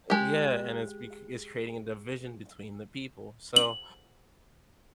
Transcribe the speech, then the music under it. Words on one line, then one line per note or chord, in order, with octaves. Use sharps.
U yeah, and it's bec it's creating a division between the people, so,
G#3 G4
F#7